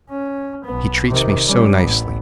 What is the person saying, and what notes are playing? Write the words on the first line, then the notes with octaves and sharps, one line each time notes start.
He treats me so nicely.
C#4
B1 B3
C3 D#3
G3 C#4
A1 B3